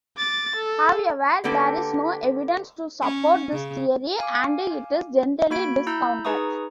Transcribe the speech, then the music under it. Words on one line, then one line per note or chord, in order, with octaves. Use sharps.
However, there is no evidence to support this theory and it is generally discounted.
D6 A6
A4
D3 A#3 B3 G4 A4
C#4
C#3
F5 G#5 D6
A#3 F#4 B5 G#6 D7
E4 A#5 B5 E6 G6
D#4 G#4 B4 A#5 C#6 D#6